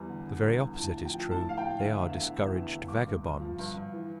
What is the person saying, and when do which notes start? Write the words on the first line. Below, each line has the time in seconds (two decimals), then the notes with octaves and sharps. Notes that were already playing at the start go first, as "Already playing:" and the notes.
The very opposite is true; they are discouraged vagabonds.
Already playing: E2 G3
0.09 D3
0.26 D3
0.44 G3
0.62 D3
0.79 A2 A5
0.97 F3
1.05 G5
1.14 F3
1.31 A2 A5
1.49 A2 F5
1.57 G5
1.66 A2
1.79 F5
1.84 D3 E5
2.00 E2 F5
2.10 E5
2.19 D3
2.36 E2 E5
2.53 E2
2.62 E5
2.71 D3
2.88 G2 D6
3.06 G2
3.23 G2
3.40 F3
3.59 G2
3.76 G2
3.93 E3